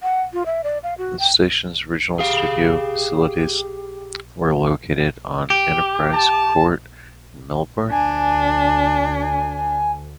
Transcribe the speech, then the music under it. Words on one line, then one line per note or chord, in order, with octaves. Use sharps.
The station's original studio facilities were located on Enterprise Court in Melbourne.
F#5
F4
E5
D5
F5
F#4
G5
G4 G#4 F5
G4
A5
D2 D4 G#5